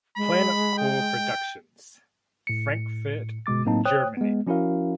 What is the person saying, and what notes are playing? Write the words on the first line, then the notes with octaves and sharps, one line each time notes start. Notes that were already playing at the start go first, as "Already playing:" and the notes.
Planet Core Productions, Frankfurt, Germany.
G#3 B5
G5
A2 C#7
G1 B2 G#3 D6 A6
A2 F#3 A#3 C4 D#4 A5
C5 C#5 G5 D#6 F#6
G#3 B3
F3 C#4 E4 F#4 A#4 F5